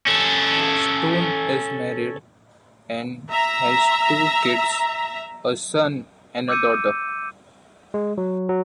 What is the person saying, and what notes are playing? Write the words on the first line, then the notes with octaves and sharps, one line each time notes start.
Stone is married and has two kids, a son and a daughter.
C#4 A4
E5 A#5
D6 E6 G6 C#7 D#7
G#3
F#3
F#3